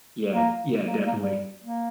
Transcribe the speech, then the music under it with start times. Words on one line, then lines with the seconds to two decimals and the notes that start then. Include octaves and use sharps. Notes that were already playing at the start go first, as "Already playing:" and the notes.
Yeah, yeah, definitely.
0.34 A#3
0.87 A#3
0.97 G3
1.07 A#3
1.22 G3
1.64 A#3